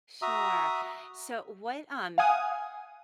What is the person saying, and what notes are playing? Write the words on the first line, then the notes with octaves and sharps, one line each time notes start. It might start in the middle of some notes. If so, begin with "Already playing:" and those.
Sure. So what um,
F#4 E5 A#5 D#6
F5 F#5 G#5 D#6